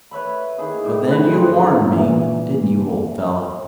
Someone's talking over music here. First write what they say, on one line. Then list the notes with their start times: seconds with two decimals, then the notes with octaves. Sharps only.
But then you WARNED me, didn't you, old fellow?
0.11 B4 C#5 E5 B5
0.58 D#3 A#3 E4 G#4
0.84 A2 G3 E4
1.11 D3 B4 B5
1.32 G2 G3 G#3 C4
1.91 A#2 E3